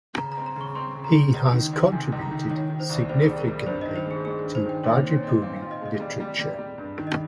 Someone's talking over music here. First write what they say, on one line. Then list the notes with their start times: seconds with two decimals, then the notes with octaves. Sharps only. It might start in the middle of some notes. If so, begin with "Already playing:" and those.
He has contributed significantly to Bhojpuri Literature.
0.17 C#3 A#5
0.32 A#5
0.37 C4
0.46 A#5
0.56 C#3 C#6
0.75 C4 C6
0.95 C#3
1.04 A#5
1.14 C#3
1.33 C#2
1.53 D#3
1.73 C#2
1.92 C3 G#5
2.12 C#2
2.21 A#5
2.31 D#3
2.50 D#3 C#5
2.70 D#3
2.80 C5
2.90 C2
3.09 G3 C5
3.26 G3 G#4
3.38 A#4
3.48 G3
3.66 G2 C5
3.81 D#3 D#5
3.96 C5
4.06 G#3 G#4
4.25 G#3 G#4
4.45 G2
4.55 C5
4.64 D#3
4.69 G5
4.84 A#2 C#5
4.98 C5
5.03 C4
5.13 C#5
5.23 C4 D#5
5.42 C4 F5
5.56 F5
5.62 F4
5.71 D#5
5.81 G#3 D#5
6.00 G3
6.20 G3
6.39 G3
6.58 G3
6.78 G2
6.98 D#3
7.07 D#5